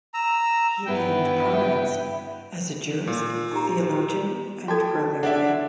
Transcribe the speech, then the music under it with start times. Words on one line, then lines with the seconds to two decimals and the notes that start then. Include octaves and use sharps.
He gained prominence as a jurist, theologian and grammarian.
0.14 A#5 E6
0.86 G2 B3 E4 G5
3.07 A#2
3.52 D#4 G4 A#5
4.68 F#4 A4 G5 A5 G#6
5.23 D4 D5 E5 F#5